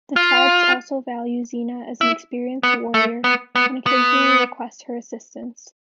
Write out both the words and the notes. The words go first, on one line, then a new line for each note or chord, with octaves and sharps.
The tribes also value Xena as an experienced warrior, and occasionally request her assistance.
F4
E4
B3
A3
B3
B3
B3